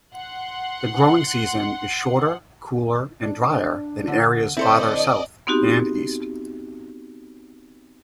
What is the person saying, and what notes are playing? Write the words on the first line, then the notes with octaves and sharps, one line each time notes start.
The growing season is shorter, cooler, and drier than areas farther south and east.
F#5 C6
D4
D3
D3 C4 E4 A4 C5 D5 D#5
B3 C4 D#4 F#4 G4